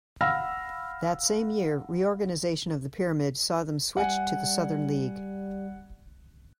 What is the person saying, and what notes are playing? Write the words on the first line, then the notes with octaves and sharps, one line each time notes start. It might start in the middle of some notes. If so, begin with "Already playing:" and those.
That same year re-organisation of the pyramid saw them switched to the Southern League.
F5 F#5 B5 E6 F6 A#6
G3 F#5 G#5